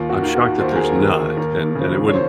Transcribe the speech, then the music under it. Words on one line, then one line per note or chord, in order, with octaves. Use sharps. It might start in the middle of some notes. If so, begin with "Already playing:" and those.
I'm shocked that there's not, and and it wouldn't
Already playing: D#2 F4
F#4
D#3
F4
F#4
D#2 C5
A#4
G#4
A#4
D#3
D#2 A#4
C#3 F3
C#5
C5